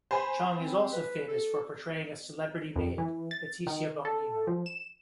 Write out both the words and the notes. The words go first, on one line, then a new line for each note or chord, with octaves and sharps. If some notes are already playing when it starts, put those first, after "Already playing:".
Chong is also famous for portraying a celebrity maid, Leticia Bongnino.
C5 G#5 B5
C4
B4
A4
F2
E3
A6
D#3
A4
F3
E7